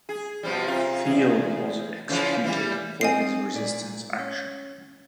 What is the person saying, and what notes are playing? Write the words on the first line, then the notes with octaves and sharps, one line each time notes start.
Thiel was executed for his resistance action.
G#4
B2 F3 G3
C3 F4
E2 G#4
C#3 E3 F3
E3 G3
C4 D#5 G#5 C7
A#2 D5
C#4